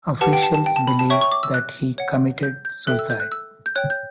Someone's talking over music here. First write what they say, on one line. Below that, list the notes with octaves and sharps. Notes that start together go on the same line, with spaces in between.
Officials believe that he committed suicide.
G4 B4 F#5 A5
G5
A5
A5
G5
A5
B5
A5
C#5 E5 G5 C#6
C#6
D6
E6
F#6
C#5 F#5
G6
G6
A4 E5 G5 F#6
E6
G6
F#6
E6
G6
C#5 G5 F#6
G6